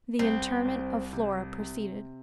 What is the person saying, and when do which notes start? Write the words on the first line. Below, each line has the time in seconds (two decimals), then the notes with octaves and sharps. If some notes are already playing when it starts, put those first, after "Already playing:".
The interment of Flora proceeded....
0.19 C2 C4
0.65 C2
1.13 C3
1.59 C3